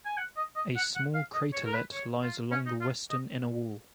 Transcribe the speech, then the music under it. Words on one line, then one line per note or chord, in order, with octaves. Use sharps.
A small craterlet lies along the western inner wall.
G#5
F#5
D#5
D#5
F#5
F#5
F5
D#5
C#5
A#4
B4
C#5
F4
C#4
D#4
F4
D#5